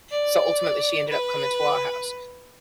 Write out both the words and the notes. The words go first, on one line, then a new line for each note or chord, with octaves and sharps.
so, ultimately, she ended up coming to our house,
D5
B4